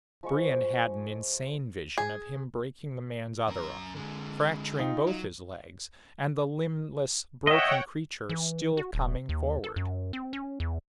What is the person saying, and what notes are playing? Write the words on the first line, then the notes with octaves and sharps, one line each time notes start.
Brion had an insane vision of him breaking the man's other arm, fracturing both his legs, and the limbless broken creature still coming forward.
F3 G#3 C#6
G#4
F#2 A#4
D3 G#3
D#4 F4 G5
F#3
C#5 D#5 E5 F#5 G5
E3
F#4
D1
D#2
A4
F#2
C4
C#4
E2